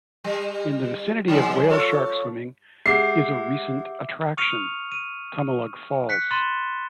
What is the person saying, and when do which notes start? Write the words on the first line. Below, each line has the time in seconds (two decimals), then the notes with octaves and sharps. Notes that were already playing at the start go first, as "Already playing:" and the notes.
In the vicinity of whale shark swimming is a recent attraction: Tumalog Falls.
0.24 G3
1.28 D3 F#3 G#3
1.70 F4 A4 C#5
2.86 G#3 G4 E5 F#5 D6 E6 G6 C7
4.37 C#6 D#6 F6 C#7 D#7 F7
4.92 D#7
6.09 F#6 B6 C#7
6.31 B5 C6 A6 D#7 E7 G7